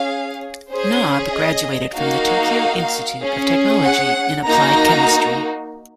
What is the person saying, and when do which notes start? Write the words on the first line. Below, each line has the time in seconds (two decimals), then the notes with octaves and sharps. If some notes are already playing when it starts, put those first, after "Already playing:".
Nob graduated from the Tokyo Institute of Technology in applied chemistry.
Already playing: C#4 G#4 F5
0.70 C#4 G#4 C5
1.33 D#5
1.95 A#3 D#4 F#4 F5
3.20 C#4 G#4
3.83 F#5
4.46 A#3 D#4 F#4 A#5